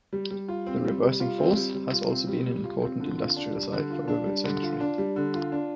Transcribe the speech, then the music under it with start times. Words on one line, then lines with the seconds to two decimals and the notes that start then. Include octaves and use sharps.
The Reversing Falls has also been an important industrial site for over a century.
0.13 G3
0.31 G3
0.48 F4
0.66 C4
0.85 G3
1.03 G3
1.20 F4
1.38 C4
1.56 G3
1.74 G3
1.92 F4
2.10 C4
2.28 G3
2.46 G3
2.64 F4
2.82 C4
3.00 D3
3.18 F4
3.37 D4
3.54 G3
3.72 D3
3.90 F4
4.08 D4
4.26 G3
4.44 D3
4.62 F4
4.80 D4
4.98 G3
5.16 D3
5.35 F4
5.52 D4